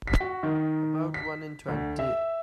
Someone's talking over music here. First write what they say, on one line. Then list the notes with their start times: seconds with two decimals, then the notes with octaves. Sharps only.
About one in twenty.
0.07 B6
0.20 F#4
0.43 D#3
1.14 B6
1.68 D2
1.99 E5